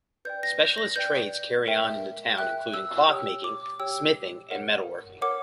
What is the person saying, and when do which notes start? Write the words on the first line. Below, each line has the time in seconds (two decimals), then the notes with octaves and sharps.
Specialist trades carried on in the town included cloth-making, smithying, and metalworking.
0.25 B4 D5 G5 G6
0.43 A#6
0.60 G6
0.78 A#6
0.96 B4 D5 G5 G6
1.67 A#4 E5 G5
2.38 A#4 E5 G5 F#6
2.74 E6
3.08 G4 C#5 G5 E6
3.44 D6
3.79 G4 C#5 G5 E6
4.51 A#4 C#5 F#5
5.22 A#4 C#5 F#5 D6